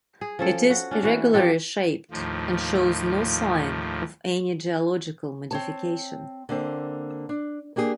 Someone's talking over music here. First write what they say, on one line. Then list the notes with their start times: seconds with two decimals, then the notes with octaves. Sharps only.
It is irregularly shaped and shows no sign of any geological modification.
0.21 G#4
0.39 F3 C#4 A4 G5
0.70 F#4
0.91 C#4 D4
1.03 E3 F#4
1.34 F3 C4 G4 A4
2.11 D#2 A2 F3
5.51 C4 C#5 A5
6.49 D3 A#3 C4
7.29 D4
7.76 A#3 D4 G4 G#4